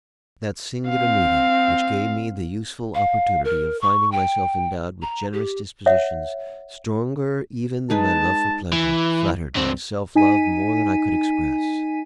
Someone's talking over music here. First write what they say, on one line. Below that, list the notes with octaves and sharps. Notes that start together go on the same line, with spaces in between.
That singular meeting, which gave me the useful opportunity of finding myself endowed with generous dispositions, stronger even than my love for pleasure, flattered my self-love more than I could express.
C4 F5
F5
A#4
C#6
G5
A#5
G4
C#5 E5 F#5
G#3 D#4 B4 A5
E3
G2 C4
D#4 G#5 B6 D#7